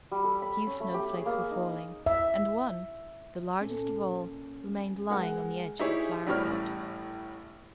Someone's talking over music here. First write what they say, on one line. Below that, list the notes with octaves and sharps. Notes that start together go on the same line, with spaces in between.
A few snow-flakes were falling, and one, the largest of all, remained lying on the edge of a flower-pot.
G3
A4
B5
C#4
A3
G4
G#4
A#3
D#4
E5
A#2 C#4 A4
G#3 A#4 F#5
D#4 E4 G4 G#4 C#5
A1 A2 G3 C#5 F6